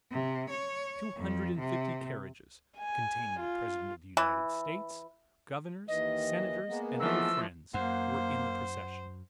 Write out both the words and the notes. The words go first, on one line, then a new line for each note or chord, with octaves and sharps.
Two hundred and fifty carriages, containing the President of the United States, governors, senators, and other friends, were in the procession.
C3
C#5
F2
C3
G#5
F4
E3
D#2 D#3 E3 D#5
G#3 A#3 B3
E3 F3 A3 E6
F#2 A#3 C5 F#5